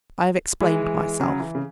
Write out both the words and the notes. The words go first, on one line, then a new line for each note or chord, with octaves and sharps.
I have explained myself.
E3 G#3
C#3 F#3
E3
C#3